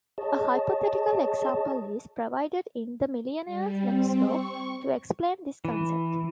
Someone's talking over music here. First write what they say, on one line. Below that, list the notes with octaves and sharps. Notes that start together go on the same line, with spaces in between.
A hypothetical example is provided in "The Millionaire Next Door" to explain this concept.
G#4 C#5 D#5 A5
G3
C4
C#6
E3